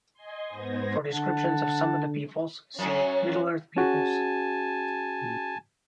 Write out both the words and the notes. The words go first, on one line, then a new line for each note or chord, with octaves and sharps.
For descriptions of some of the peoples, see: Middle-earth peoples.
D#5 G#5 C6
G#2 B3 C5 G#6 A#6
D3 F#5 A5
F#2 F#3 C#4
C#4 F#4 G#4 G#5 A5